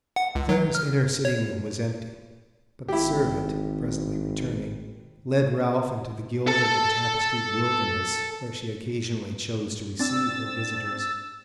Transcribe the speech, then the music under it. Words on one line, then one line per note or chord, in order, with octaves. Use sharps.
Clare's inner sitting-room was empty; but the servant, presently returning, led Ralph into the gilded and tapestried wilderness where she occasionally chose to receive her visitors.
F#5
C#2
F#3
F6
C#5
G#1 E4 G4
A4 A5
C4 D4 E6 A6